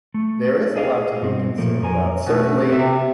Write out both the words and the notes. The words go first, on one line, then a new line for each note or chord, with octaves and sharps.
there is a lot to be concerned about, certainly
A3
G#4 D#5 F5
G2 B2 C4
A#2 F3 A3 A#3
F2 A#4 G#5
B2 A3
C3 E5